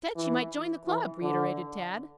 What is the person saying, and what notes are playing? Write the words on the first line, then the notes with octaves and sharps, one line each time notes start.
"I said she might join the club," reiterated Tad.
E3
E3
D3